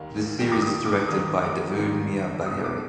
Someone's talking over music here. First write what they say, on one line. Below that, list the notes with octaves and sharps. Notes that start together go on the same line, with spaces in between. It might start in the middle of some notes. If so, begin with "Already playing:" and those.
The series is directed by Davood Mir Bagheri.
Already playing: D#2 D#3 G3 F5
D#2 D#3 G3 G5
D6
D#6
D6
D6
D#2 D#3 G3 D#6
D6
D#2 D#3 G3
C2 B2 G#3 D#6
D6